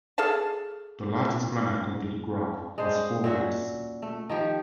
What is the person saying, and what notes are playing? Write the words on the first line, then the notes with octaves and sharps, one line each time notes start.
The largest planar complete graph has four vertices.
G#4 A4 F5 A5
G#3 D4 C5
A#2 C#4 F#4 E5
A3
D#3 F3 G4